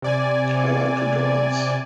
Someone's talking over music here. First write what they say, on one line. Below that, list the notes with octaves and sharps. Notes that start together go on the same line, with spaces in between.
I like to dance.
C3 D5 G#5